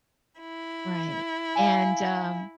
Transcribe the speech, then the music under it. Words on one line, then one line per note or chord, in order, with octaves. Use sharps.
Right. And, um,
E4
F5 G#5